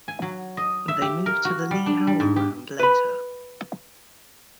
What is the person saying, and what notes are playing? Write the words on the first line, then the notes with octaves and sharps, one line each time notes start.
They moved to the Lee Howl ground later.
G#5
F#3
D#5
E5
G4
A#4
F#4
G3
D4
G3
G#2
G4
B4 B5